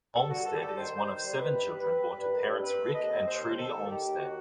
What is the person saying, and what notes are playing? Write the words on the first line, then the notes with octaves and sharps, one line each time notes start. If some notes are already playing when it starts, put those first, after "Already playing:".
Olmstead is one of seven children born to parents Rick and Trudy Olmstead.
G2 A4
G3 F#4
G2 A4
G4
G3 A4
D#3 C5
G2
D#3
G3
D#3 B4
G2
G3
C4
G3
G2
D#3
G2
C4 B4
A3
D#2 D#5
C4
D#2 C5
D#3
D#2 A4
D#3
D#3 G4
D#2
D#3 F#4